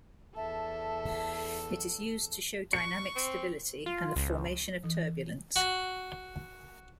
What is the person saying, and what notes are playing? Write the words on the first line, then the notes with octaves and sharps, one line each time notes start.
It is used to show dynamic stability and the formation of turbulence.
E2 A4 E5 A5
C#6 C#7
C4
F4
C#2
E3
F#4